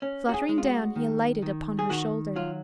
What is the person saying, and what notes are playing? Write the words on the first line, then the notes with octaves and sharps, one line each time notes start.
Fluttering down he alighted upon her shoulder.
C#4
F#4
G#4
G#3
F4
F#4
D#3
D#3
G#4
D#3 F#4
F#3 F4